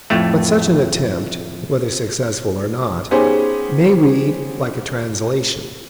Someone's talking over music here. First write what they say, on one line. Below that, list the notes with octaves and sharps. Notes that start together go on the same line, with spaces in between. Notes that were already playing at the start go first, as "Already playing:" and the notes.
But such an attempt, whether successful or not, may read like a translation.
F2 A2 A3
B3 C#4 D#4 G4 G#4 C5